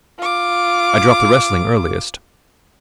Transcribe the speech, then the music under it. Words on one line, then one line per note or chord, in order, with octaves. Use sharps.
I dropped the wrestling earliest.
F4 D6